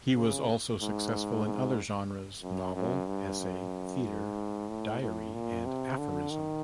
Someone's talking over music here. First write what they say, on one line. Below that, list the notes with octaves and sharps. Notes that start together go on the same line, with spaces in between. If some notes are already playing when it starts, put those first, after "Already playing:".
He was also successful in other genres: novel, essay, theater, diary and aphorism.
C#3
G#2
G#2
F#2
F#2
G2
F#2
G#2
A2
A2
A#2
C3
D3
D#3